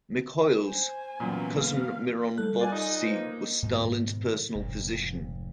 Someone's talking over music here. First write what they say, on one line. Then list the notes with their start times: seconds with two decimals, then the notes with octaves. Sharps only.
Mikhoels' cousin Miron Vovsi was Stalin's personal physician.
0.65 C5 G#5
1.20 F#2 A#2 E3 A#3 B3
1.57 F5
2.38 G3 A4 F#6
2.59 F4 D5 G#5
2.72 D#4 D#6
3.03 F4 B4 C5
3.15 A#3
3.63 G#2 B2 D#3 G#3
4.55 F1 G#2